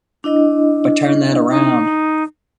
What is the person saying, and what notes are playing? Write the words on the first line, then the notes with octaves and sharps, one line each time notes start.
But turn that around.
D4 E4 D#5
D#4